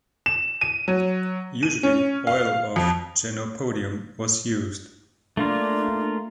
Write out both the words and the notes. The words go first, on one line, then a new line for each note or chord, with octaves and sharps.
Usually, oil of chenopodium was used.
E7
D#7
F#3
D#7
C#4
F5
F2
A3 A#3 D4 F4